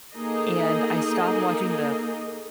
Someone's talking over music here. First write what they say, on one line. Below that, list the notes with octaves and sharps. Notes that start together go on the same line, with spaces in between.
and, I stopped watching the f
A#3 D#4 G#4 A4 D#5